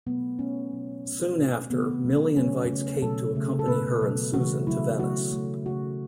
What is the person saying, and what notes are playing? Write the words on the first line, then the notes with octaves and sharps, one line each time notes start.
Soon after Milly invites Kate to accompany her and Susan to Venice.
B2 F#3 A3 B3
B2 A3 C#4
B2 F#3 A3
B2 A3
B2 A3
C#3 E3 A3 B3
B2 F#3 A3
C#3 F#3 A3 C#4
C#3 A3
B2 F#3 A3 A4
C#3 A3
A4
B2 A3 B4
B2 F#3 A3
C#3 E3 A3 F#4
C#3 F#3 A3 E4
C#3 F#3 A3 F#4
C#3 A3
C#3 A3 F#4